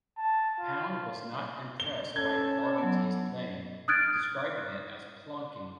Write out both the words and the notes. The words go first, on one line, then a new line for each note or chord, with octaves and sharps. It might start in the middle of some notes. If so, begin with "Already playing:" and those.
Pound was not impressed by Borgatti's playing, describing it as "plonking".
A5
F4
G7
C#4 A4 G#6
F#3 B3
D#6 F6 F#6 G#6 A6 D7